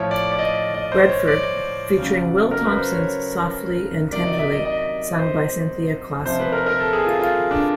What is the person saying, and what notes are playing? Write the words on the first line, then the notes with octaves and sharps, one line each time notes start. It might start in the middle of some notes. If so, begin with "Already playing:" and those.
Redford featuring Will Thompson's "Softly and Tenderly" sung by Cynthia Clawson.
Already playing: A2 F3 C#5
D5
D5
D#5
D#5
C5
C#5
D5
C#3 F#3
A#4
B4
C5
C#5
C3 D#3 F#3 D5
D#5
E5
D#5
D#5
C5
C3 F3 C5
B4
A#4
A#4
A4
G#4
F4
F4
D4